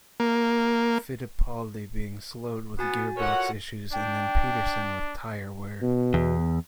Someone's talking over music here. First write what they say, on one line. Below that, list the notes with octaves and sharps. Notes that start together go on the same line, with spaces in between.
Fittipaldi being slowed with gearbox issues, and then Peterson with tyre wear.
A#3
B3 F#4 G#5 A6
F4 F#4 A4 A#4 C#5 F#5
D4 G5
B2
E2